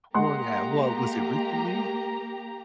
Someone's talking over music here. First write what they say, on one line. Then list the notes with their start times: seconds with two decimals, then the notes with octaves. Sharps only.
Well, yeah. Well, was it recently?
0.14 G#3 A#3 G4 F#5 A#5 C6